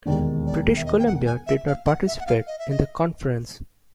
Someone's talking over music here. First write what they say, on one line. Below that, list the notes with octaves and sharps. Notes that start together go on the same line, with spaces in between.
British Columbia did not participate in the conference.
E1 D#2 D#3 G#3 D5
D5
E5
D#5
G5
F#5
G#5
E5
F5
F#5
E5
F#5
F5
D#5
E5
D#5